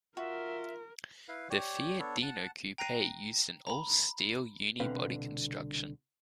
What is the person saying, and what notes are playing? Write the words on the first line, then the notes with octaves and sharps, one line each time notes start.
The Fiat Dino coupe used an all-steel unibody construction.
F4 F#4 A#4 E5
E4 B4 F5
G4 C#5 D5
B3 D4 A4 C#5
F#5 A5
G5 A#5 F#6 A#6 C7 D#7
A#5 B5
C2 B2 D3 C4 B4 F5